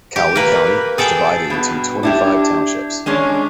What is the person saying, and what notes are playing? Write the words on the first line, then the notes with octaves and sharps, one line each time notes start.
Cowley County is divided into twenty-five townships.
G4
A#3 B4
G#4 A4 G5
G2 B2
D4 E4 G4
G#3 C#4 D4 G#4